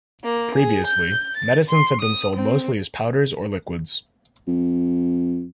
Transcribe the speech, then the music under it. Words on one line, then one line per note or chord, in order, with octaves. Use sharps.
Previously, medicines had been sold mostly as powders or liquids.
A#3
G#4
G6
A6
C6
D#6
C4
F2